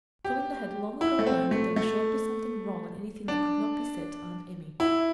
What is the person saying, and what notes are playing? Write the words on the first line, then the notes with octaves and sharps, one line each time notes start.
Clorinda had long ago learned that there was sure to be something wrong in anything that could not be said to Aunt Emmy.
G4
E4
A3
C4
A3
A3
D4
E4